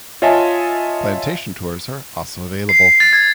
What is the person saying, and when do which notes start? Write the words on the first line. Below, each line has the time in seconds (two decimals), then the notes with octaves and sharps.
Plantation tours are also available.
0.22 F4 C#5 D#5 E5 G#5 A5
2.69 C7
3.00 A6
3.13 G#6